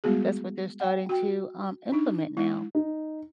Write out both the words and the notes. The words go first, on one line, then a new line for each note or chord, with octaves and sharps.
That's what they're starting to, um, implement now.
G3 G#3 B3 F#4 G#4
F#5 G5
F#4 G5
D4 D#4
G#3 E4
D#4